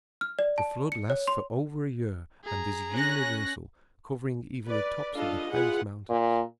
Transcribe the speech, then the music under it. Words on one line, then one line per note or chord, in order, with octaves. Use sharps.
The flood lasts for over a year and is universal, covering even the tops of the highest mountains.
F6
D5
A5
C#7
C#5
C6
G#4 A#5
C#4 F#6 A#6
B4 D5
D4 F4 A4 B4 D#5 F5
E4 F4 G#4 B4 F#5
A#2